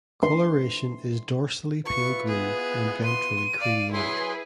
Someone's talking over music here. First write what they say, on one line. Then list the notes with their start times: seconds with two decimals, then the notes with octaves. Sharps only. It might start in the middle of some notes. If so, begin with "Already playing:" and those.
Coloration is dorsally pale green and ventrally creamy white.
0.23 C6
1.85 E4 F4 B4 C#6
2.28 B3 G#4
3.04 C6 D#7
3.60 D5 F5
3.92 F#3 E4 G#4 B4 C6